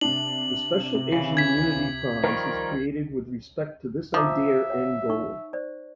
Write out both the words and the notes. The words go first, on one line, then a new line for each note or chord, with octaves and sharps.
The "Special Asian Unity Prize" is created with respect to this idea and goal.
C3 D4 F#7
C3
C#3 E3
G#6 B6
D#3 F3 G3 A#4 C#6
F3 E5 A#5 D6 D#6
C#5 F#5
D#4 C#6
C5 D5